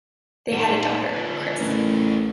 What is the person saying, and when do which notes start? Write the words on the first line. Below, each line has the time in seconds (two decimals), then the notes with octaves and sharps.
They had a daughter, Chris.
0.53 D#4 F#5
1.14 F4 B4
1.60 A1 E4 A#4